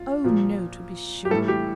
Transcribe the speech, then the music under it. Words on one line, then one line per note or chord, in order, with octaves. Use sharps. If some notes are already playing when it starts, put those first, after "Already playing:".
Oh, no! to be sure.
Already playing: F4
A#2 F3
G4
A2 E3 G3 A4
G4